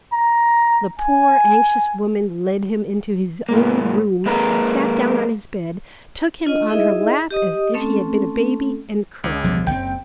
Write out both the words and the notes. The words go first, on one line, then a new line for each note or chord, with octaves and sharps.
The poor, anxious woman led him into his own room, sat down on his bed, took him on her lap as if he had been a baby, and cried.
A#5
G#5
G#2 A#3
G#3 A#3 B4 A#5
D4 F4 D#5
D#4 E4 G#4 D#5 E5
G4 D#5 D#6
A3 C4 C#4 A4
C#2
E1 F3 G3
F#1 C4 G5